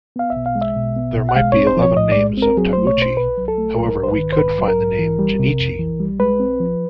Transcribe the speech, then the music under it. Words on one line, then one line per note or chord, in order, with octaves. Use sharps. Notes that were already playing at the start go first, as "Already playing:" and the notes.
There might be eleven names of Taguchi, however we could find the name Genichi.
B3 F5
E5
B2
F5
G#3
E5
B2
B3
B2
F#5
G#3 F5
C4 C#5
C5
F3
C#5
A2 D#5
G#3 D5
C4 A#4
F#3 G#4
A3 C5
C#5
B2 C5
C2 B4
F#3
A4
A3
F#3 A#4
G#2
C5
B4
D#3
C5
G#2 B4
F#3
A#4
G#2
E3
G3
C3
F2
E3
G3
G#3 B4
C4
F3